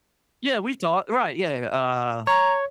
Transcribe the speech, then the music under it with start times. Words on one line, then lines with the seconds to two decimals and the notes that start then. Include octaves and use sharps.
Yeah. We talked right. Yeah, uh
2.27 C#5 A#5